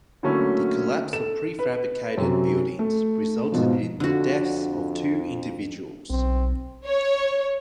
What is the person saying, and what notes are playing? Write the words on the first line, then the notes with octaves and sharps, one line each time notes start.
The collapse of prefabricated buildings resulted in the deaths of two individuals.
D3 F#3 A3 A#3 C#4 E4
A4 E7
B4
F#2 C3 F#3
A3
G#2 B2 F3
F2 D3 F#4
B1 C4
C#5